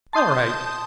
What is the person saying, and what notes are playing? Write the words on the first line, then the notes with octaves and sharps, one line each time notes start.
"All right."
A5 C6 D#6 G6